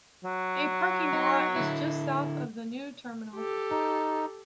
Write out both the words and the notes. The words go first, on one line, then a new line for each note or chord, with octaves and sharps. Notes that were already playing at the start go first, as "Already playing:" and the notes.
A parking lot is just south of the new terminal.
F#3
D#4
D3 E4
G4 A4
D#4